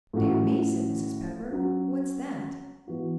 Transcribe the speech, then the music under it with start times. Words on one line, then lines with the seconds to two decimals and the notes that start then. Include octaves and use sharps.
"Dear me!" said Mrs. Pepper, "what's that?"
0.13 A2 A3 C#4 F#4
1.51 F#3 C#4 F#4
2.88 E3 B3 F#4